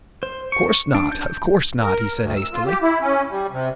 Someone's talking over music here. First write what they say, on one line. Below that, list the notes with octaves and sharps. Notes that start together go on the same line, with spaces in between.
"Of course not--of course not!" he said hastily.
C5
C#6
D4
G6
A#4
D2
E6
F4
G4
E4
C#4
G3
C3